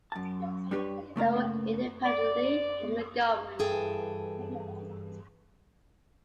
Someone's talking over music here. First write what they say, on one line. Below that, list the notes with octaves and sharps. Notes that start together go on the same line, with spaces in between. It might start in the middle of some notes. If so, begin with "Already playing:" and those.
They work independently from the government.
F#2 A5
G3 D4 G4 A#4 B4 C#5
C#3 A3 A#3 A#5
D5
G2 E3 G#4 A4 G5